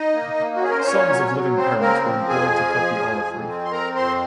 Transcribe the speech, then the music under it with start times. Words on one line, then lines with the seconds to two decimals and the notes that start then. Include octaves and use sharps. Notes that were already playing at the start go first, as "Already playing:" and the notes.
Sons of living parents were employed to cut the olive-wreath.
Already playing: D#4 D#5
0.14 A#3
0.38 A#3
0.56 F#4
0.62 C#4 G#4
0.70 A#4
0.78 C5
0.85 A#2 C#4 C#5
1.09 F#3
1.33 F#3
1.57 C#3 C4 C5
1.81 A#3 C4 A#4
2.05 F3
2.29 F2 G#4 G#5
2.53 F3
2.77 F3
3.00 F2
3.24 F2
3.48 C4
3.65 C6
3.72 C4 A#4 A#5
3.96 F2 C5 C6